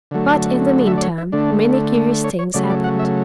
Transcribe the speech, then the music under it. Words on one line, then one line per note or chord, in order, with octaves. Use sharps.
But in the meantime, many curious things happened.
D3 F#3 A3
E5
D5
C#5
E4
D3 A3 D4
C#5
C#5
C#3 F#3 A3 D5
D5
F#5
E5